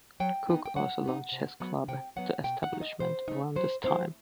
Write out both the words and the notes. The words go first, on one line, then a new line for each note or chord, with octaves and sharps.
Cook also launched his club, The Establishment, around this time.
F#3 G5
B3 D#4
G5
F#3 F#5
B3 D#4
C3
F#3 B3
C3 G5
F#3 B3 F#5
B2 G5
F#5
A3 D#4
D#5
B2 C5
A3 D#4
F#3 C5
A3 C4 E4 C5